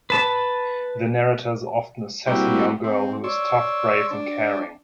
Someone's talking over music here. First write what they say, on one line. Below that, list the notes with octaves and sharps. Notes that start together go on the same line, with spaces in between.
The narrator is often a sassy young girl who is tough, brave, and caring.
B4 A5
G3 A#3 C4 E4 F#4 G4
C4
C#5 D5 C6 E6
D4